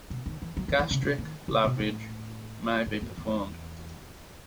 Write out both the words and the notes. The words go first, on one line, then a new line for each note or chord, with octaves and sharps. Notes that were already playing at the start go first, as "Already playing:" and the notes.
Gastric lavage may be performed.
B2
D#3
E3
F#3
E3
E3
C#3
C#3
D#3
C#3
B2
A2
G#2
F#2
E2